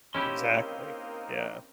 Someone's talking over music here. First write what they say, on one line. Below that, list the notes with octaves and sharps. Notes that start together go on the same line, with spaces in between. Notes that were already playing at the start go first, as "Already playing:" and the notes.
Exactly. Yeah.
A#3 C4 C#4 D#4 E4 G4 D#5 C6